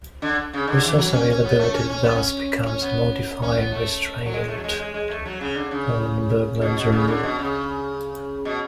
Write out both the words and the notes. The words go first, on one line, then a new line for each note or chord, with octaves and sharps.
Resource availability thus becomes a modifying restraint on Bergmann's Rule.
D3
C#3
D3
E3
F#3
C#4
C#4
B3
A3
C#4
C#4
B3
C#4
C#4
B3
C#4
B3
A3
F#3
G#3
A3
F#3
G#3
G#3
G#3
A3
F#3
C#3
D3
C#3
B2
B2
C#3
D3
B2
C#3
B2